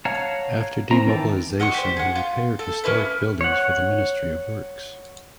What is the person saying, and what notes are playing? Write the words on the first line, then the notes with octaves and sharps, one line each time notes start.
After demobilisation he repaired historic buildings for the Ministry of Works.
C#5 F5 F#5 A5 A#5
C4 A#5
D#3 E3 G5 A5
D#5 F#5 G5 C#6
G4 C5
G#4 F#5
F4
A4
A#3 C#4 E4 B4
C#5 F#5